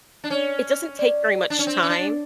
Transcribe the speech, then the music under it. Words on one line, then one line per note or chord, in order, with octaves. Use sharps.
it doesn't take very much time,
D4
C#4 C#5
D5
D4
C#4
C4
C#4
D4